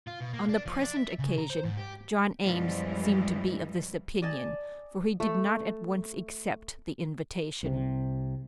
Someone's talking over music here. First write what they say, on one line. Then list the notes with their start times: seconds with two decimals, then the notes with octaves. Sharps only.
On the present occasion John Eames seemed to be of this opinion, for he did not at once accept the invitation.
0.07 F4
0.20 B2
0.33 A#3
0.49 D4
0.66 F3
0.81 D4
0.96 E5
1.19 C#3
1.38 A#5
1.50 C5
1.65 G#2
1.77 G4
2.43 F#2 B2 E3 F3 G3 G#3
4.22 D5 D#5 G#5 A5
5.20 A3
7.63 C2 C3